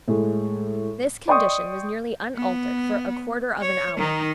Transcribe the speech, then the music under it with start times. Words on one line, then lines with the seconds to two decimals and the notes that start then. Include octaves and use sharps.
This condition was nearly unaltered for a quarter of an hour.
0.08 A2 G#3
1.28 D5 D#5 G5 C6 C#6 D#6
2.37 B3
3.61 C#5
3.97 D#3 D#4